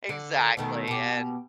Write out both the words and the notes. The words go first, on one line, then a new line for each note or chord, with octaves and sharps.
Exactly, and
D3
B2 D#3 A3
B2 G4